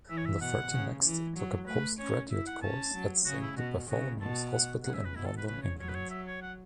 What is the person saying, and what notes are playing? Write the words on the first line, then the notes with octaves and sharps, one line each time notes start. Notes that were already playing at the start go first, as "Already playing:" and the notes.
Lafferty next took a post-graduate course at Saint Bartholomew's Hospital in London, England.
E3 E5
C#5
E5
B2 F#5
C#3
E3
F#3
A3 B4
C#4 C#5
E4 E5
F#5
C#4 A5
F#3
C#3 F#4
E4
B2 F#4
C#3 F#4
B2 A5
F#5
C#3 F#5
E5
B4
B2 E4
A4
B4
C#3 B4
C#5
F#3 C#5
B4
C#5
E5
C#5
F#5